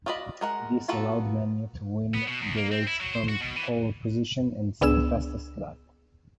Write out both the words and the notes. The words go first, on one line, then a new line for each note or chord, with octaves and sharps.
This allowed Menu to win the race from pole position and set fastest lap.
F4 F#4 D5 D#5 B5
G#3 A#4 F#5
A#3 B3 F4 F#4 A4
B3
B2
E2
A#3
C4
E4
F#3
C5
F#4
B2
E3
C#2 B3 D4 G#4 E6 E7